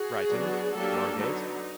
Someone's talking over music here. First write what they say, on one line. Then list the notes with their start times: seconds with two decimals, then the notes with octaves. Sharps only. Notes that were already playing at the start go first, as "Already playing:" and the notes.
Brighton, Margate.
Already playing: F#4 G#4
0.31 F#3 B3 D4
0.74 F#3 A#3 D4 G4 A4
1.18 D3 F#3 B3 D#4